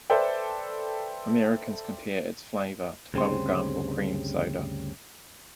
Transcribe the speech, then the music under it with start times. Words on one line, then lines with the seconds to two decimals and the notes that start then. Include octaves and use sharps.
Americans compare its flavor to bubblegum or cream soda.
0.10 A4 B4 C5 D5 E5 G5
3.14 D2 G2 C#3 G3 C4 C6